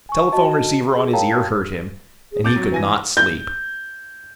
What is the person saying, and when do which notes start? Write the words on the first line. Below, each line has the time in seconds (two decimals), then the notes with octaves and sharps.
The telephone receiver on his ear hurt him, and he could not sleep.
0.09 G#5 C#6
0.32 F#4 D#5 A5
0.94 G#4
1.13 A#4 C#5 F5 G5 A5 A#5
2.32 G#4
2.44 C4 D6 G6 A6
2.56 F#3
2.72 E3 G#5 A#6
3.17 G6